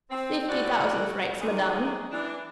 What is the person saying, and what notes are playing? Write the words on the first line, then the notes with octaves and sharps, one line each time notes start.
"Fifty thousand francs, madame."
C4
A2 C#4 F#4 D5
F#2 D#3 G#3 A#3 G#4 D5
E3 D4